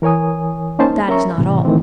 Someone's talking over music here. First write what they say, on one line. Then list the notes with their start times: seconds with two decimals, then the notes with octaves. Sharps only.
But that is not all.
0.02 E3 A#4 C#5 G#5 D#6
0.79 A#3 C#4 D#4 C5 A5
1.08 C#4 A#4 C#5 E5 A#5 C#6
1.38 A2 C3 E3
1.65 D#3 E3 A3 C4